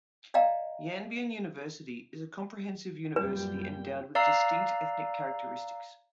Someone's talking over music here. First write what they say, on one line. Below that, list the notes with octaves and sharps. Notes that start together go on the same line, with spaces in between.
Yanbian University is a comprehensive university endowed with distinct ethnic characteristics.
D5 D#5 F5 G5 A#5
F#2 A#2 G3 B4 G5
D5 F5 A#5 E6 F#6 C7